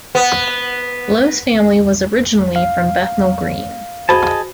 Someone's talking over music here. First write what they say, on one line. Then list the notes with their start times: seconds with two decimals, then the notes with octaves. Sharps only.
Lowe's family was originally from Bethnal Green.
0.15 B3
2.56 F5
4.09 F#4 G#4 C5 D#5 A5 B5